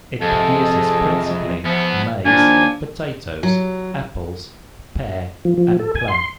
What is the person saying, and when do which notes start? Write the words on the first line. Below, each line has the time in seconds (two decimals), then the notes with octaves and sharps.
It produces principally maize, potatoes, apples, pear and plum.
0.21 F2 C3 G#4 A4 D#5
1.64 E2 F3 B3
2.25 D#2 F3 D4 G#5
3.43 F#3
5.45 F3
5.57 F3
5.79 A4
5.95 G#5
6.08 C6